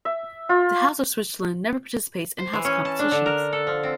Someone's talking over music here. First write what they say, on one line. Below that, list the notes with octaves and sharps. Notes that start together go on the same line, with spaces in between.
The House of Switzerland never participates in house competitions.
E5
F4
C5
E3
C#4
A5
D4
D3
A#4
A4
F3
C4